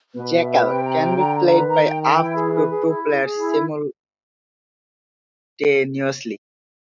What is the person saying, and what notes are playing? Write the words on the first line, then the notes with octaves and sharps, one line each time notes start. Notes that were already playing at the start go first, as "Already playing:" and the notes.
"Jackal" can be played by up to two players simultaneously.
B2 B4
E5
B4
C3 G5
A#5
G5
D3 A#5
A#5
B4
D#3 A#5
G5
G5
E3 E4
G#4
B4
G#4
E4
G#4
G#4
E4